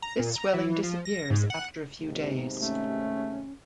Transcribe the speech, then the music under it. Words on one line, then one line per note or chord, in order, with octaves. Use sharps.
This swelling disappears after a few days.
A#5
A#2
A#5
E3
F3
A#6
G#2
F#5
D#2 G#2 C3
A3 C#4